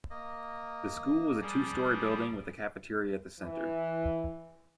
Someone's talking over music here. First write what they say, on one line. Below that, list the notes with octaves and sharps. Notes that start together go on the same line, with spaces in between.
The school is a two-story building with a cafeteria at the center.
A#3 D#5
F3 G3 G#4 D5
E3